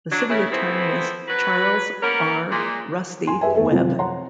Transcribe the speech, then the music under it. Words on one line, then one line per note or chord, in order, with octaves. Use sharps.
The City Attorney is Charles R. "Rusty" Webb.
F#3 D4
C#3 E4
C#3 F3 A3 B3 C4 E4
F#3 B4
A#3 B3 C#4 A#4
A#2 G#3
G#5 C6
G4 G#4 B4 E5 G#5
E2 A3 A4 E5
C3 F3 F#3
C#5 F#5 A#5 C6